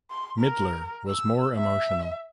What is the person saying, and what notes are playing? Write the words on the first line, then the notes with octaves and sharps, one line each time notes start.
Midler was more emotional.
C6
A#4
E6
E5